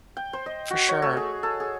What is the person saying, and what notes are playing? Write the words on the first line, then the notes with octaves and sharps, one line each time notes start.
For sure.
G5
C5
D#5
F#4
C#5
A3
G#4
A4
G#4